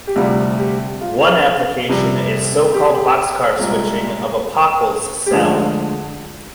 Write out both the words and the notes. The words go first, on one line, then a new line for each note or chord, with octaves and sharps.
One application is so-called boxcar switching of a Pockels cell.
G4
D2 C3 G3 F4
G4
F4
F2 C3 G3
G4
G#4
G4
C2 A#2 G#3
G4
D2 D3 F3 G#3 G#4